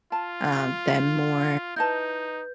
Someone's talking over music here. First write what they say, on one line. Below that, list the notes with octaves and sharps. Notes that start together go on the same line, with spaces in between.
uh, them more
F4 A5
D#4 E4 B4 D#5 A5 G6